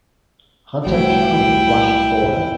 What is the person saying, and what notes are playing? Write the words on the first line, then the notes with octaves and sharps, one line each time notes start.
Hunter Caramel blushed for her.
C2 A2 F#3 E4 G5